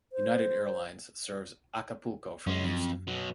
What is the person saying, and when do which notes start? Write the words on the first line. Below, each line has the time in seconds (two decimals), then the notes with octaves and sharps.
United Airlines serves Acapulco from Houston.
0.13 C5
2.47 F#2 G#3 C#4
2.64 F2
3.07 B2 F#3